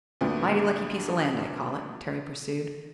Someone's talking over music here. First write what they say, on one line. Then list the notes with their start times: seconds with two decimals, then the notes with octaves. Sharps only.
"Mighty lucky piece of land, I call it," Terry pursued.
0.21 D2 A#2 D3 G3 B3